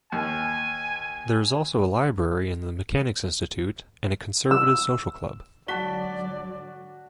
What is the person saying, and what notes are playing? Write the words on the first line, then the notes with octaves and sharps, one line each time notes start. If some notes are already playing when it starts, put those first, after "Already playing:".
There is also a library in the Mechanics Institute, and a Conservative Social Club.
D#2 G#5
E6
G#2 D3 F#3 F#4 D5 A5 B6 G7